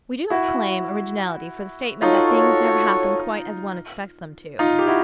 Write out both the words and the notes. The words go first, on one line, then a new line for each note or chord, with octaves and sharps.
We do not claim originality for the statement that things never happen quite as one expects them to.
E4 F#4
D#4 F4 F#4 A4 C#5
D#4 F4
G4
E4 F#4